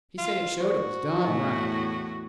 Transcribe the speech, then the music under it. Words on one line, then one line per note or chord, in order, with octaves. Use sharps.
He said it showed it was done right.
F4
F#4 C5 D5
E2 A2 D#5 G#5